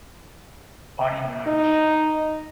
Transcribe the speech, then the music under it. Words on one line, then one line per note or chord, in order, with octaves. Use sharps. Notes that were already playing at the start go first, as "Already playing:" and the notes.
Body brownish.
D#4